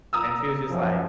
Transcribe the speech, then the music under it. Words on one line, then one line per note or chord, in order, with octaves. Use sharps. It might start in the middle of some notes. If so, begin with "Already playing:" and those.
and she was just like,
A#5 D#6 E6
F#2 F3